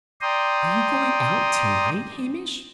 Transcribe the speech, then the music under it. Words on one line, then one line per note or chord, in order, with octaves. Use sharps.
"Are you going out to-night, Hamish?"
D5 G5 A#5 C6 D#6